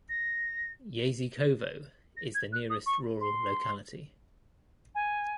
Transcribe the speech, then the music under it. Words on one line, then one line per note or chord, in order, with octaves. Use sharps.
Yazykovo is the nearest rural locality.
A#6
A#6
G#6
F#6
D#6
C#6
C6
G#5